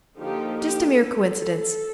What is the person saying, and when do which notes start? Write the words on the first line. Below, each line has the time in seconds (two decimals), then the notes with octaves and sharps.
Just a mere coincidence.
0.18 D3 F3 A#3 D#4 G4
0.58 G4
0.97 A4